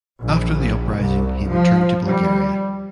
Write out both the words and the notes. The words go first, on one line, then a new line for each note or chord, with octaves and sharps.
After the uprising he returned to Bulgaria.
A#1
C2
F3
G3